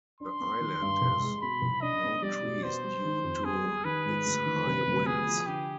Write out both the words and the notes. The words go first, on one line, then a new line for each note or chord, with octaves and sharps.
The island has no trees due to its high winds.
D4 C6
B3
D#3
G2
C2
G#3
B2 B5
C2
D4 D#5
B3
G3 D5
B2
B3 C5
G3
D#3
F2
B3 G#4
G3
D#3 B4
G#2
D2
D#3
C3
D2
B3 G#4
F3
D3 G4